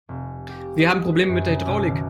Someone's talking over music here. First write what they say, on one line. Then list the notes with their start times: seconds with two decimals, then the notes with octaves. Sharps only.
Wir haben Probleme mit der Hydraulik.
0.09 F1
0.49 G4
0.79 D#5
1.12 B4
1.28 F#2
1.47 C#3
1.66 B1
1.89 D#3